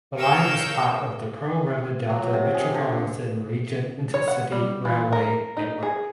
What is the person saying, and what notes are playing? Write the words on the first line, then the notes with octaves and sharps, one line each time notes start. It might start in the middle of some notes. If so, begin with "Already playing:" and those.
The line is part of the Pearl River Delta Metropolitan Region intercity railway network.
A#4 C#5 F5 E6 G6
F#3
C3
G#4
D3
C#5
F#5
G3
E3
A#4
D#4
G#4